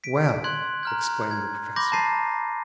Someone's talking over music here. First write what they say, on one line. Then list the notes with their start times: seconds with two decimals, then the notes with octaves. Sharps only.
"Well!" exclaimed the Professor.
0.04 B6 D7
0.44 C6 F#6 G#6 F#7
0.83 A#5 F6 G6
1.31 G#6
1.76 B5 C6 D6 G6 A#6
1.92 A5 A#5 A6 C7 D#7